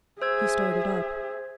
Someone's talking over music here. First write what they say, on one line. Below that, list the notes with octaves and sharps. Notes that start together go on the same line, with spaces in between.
He started up.
G#4 C5 E5 E6 G#6